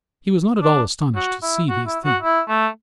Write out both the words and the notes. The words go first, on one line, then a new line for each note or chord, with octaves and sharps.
He was not at all astonished to see these things.
D4
F#4
E4
F#4
E4
F#4
E4
A3